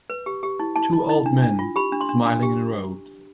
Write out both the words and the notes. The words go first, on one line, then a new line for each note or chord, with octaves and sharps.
Two old men smiling in robes.
B4
G4
G4
E4
E4 A5
E4
E4
D4
D4
F4
G4 B5
D4
C6
D4
D4
G4